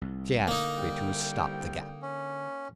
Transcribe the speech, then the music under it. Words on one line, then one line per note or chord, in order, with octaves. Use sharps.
She asked me to stop the gap.
C2
D3 A#3 D#4
C2 G3 G5
C#4